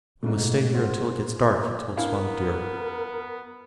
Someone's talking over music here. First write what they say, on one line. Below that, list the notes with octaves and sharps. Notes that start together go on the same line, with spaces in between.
"We must stay here until it gets dark," he told Spotted Deer.
G#2 B2 A3
F4 G#4 C5 F#5
B3 C#4 D4 E4 A#4 F5